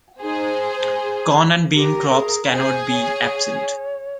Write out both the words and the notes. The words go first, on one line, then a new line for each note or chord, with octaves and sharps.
Corn and Bean crops can not be absent.
D#4 G#4 C5
G4 A#4
G#4
G#4 C5
C#5